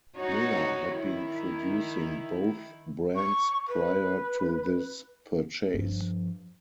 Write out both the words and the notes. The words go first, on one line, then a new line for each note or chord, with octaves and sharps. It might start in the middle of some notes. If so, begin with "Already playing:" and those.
Miller had been producing both brands prior to this purchase.
D#4 F#4 C#5
D#3 E4
C#6
B4
G2 F3